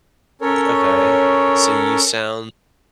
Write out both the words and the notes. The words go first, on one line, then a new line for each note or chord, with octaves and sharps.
okay. So, you sound
C#4 A4 A#4 C#5